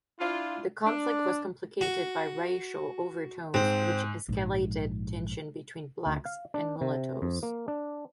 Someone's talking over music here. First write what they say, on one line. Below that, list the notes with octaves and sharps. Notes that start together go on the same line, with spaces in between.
The conflict was complicated by racial overtones which escalated tension between blacks and mulattoes.
D4 E4 F4
D4
F#4
G#2 C4
A#1 G#2
D2
F5
D4
C3
F2
A#3
D4